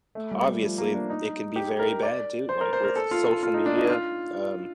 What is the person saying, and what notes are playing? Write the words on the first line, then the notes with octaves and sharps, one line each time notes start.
obviously it can be very bad too, like with social media, um,
A3
G3
G3
F3
A#3
D4
D#4
G4
A#4
D5
C5
A#4
C5
A#4
A4
F4
F4
F4
D#4
D4
D#4
F4